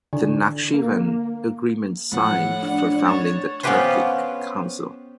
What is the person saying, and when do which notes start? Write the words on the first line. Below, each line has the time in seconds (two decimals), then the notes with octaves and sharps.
The Nakhchivan Agreement signed for founding the Turkic Council.
0.13 D3
0.74 A#3
2.12 A2 F3 F#5
2.63 D4 F#5
3.05 C#5 A6 E7
3.63 B3 C#4 F4 G4 B4 C5